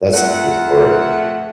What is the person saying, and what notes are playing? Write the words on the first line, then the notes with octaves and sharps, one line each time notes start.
That's another story.
F2 A3 F#5
A3